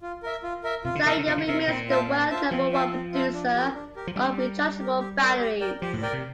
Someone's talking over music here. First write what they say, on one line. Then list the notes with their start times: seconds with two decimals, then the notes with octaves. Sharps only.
Sanyo remains the world number one producer of rechargeable batteries.
0.02 F4
0.23 A#4 E5
0.43 F4
0.64 A#4 E5
0.84 C3 F4
0.95 D3
1.06 C3 A#4 E5
1.17 D3
1.26 C3 F4
1.38 D3
1.47 C3 A#4 E5
1.68 A#2 C4
1.88 F4 C5 E5 A5
2.09 C4
2.30 F4 C5 E5 A5
2.51 F3 C4
2.72 F4 C5 E5 A5
2.91 C4
3.12 F4 C5 E5 A5
3.33 D4
3.54 G4 A#4
3.74 D4
3.96 G4 A#4
4.07 F3
4.15 G3 D4
4.37 G4 A#4
4.58 D4
4.78 G4 A#4
4.99 G4
5.19 A#4 D5 G5
5.40 G4
5.60 A#4 D5 G5
5.81 F3 G4
5.93 A2
6.02 A#2 A#4 D5 G5
6.13 C3